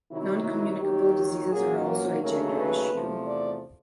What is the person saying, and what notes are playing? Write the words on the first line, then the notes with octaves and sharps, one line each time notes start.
Non-communicable diseases are also a gender issue.
C3 D#3 F#3 E4
E4
D#2 D#3 F#3 G4
A#2 F#3 A#3 C#4 G#4
A#4
D#2 C#3 F#3 A3 C#4 A#4
B4
E2 C3 F3 A3
D5